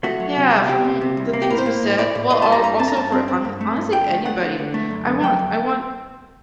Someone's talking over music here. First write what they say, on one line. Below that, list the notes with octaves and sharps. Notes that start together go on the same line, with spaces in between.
Yeah, from the things you said, well, al also for hon honestly, anybody I want I want
A3 F#4
F#3
C3
C2
C3 G4
C3
C3
C2
A#3
G4
A2 A#4
C5
A#3
A2
A2 D5
A2
A2 D#5
A5
G3
A#5
G2 A#5
C4 A5
A#5
G2 A5
C4
C4
G2
A3
G2
D3 G5
A3
A3 F#5
D3
D3
A3
F#2
D3
F#3 G5
F#2